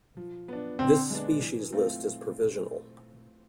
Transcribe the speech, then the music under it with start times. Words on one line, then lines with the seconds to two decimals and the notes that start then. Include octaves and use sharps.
This species list is provisional.
0.17 F3
0.48 B3 D4
0.79 D3 C4
1.10 G#3 B3 D4
1.41 E3
1.72 A3 C4 F4